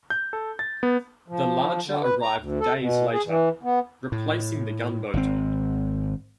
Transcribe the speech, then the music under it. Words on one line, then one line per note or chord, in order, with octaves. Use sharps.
The larger arrived days later, replacing the gunboat.
G6
A4
A6
B3
F3
D3
B4
A#5
D2
A4
B2
G#4
E3
B3
A2
G#1 C4